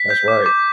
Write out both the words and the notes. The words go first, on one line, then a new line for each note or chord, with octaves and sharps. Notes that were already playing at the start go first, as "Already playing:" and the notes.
That's right.
Already playing: B6
G6
D6
D6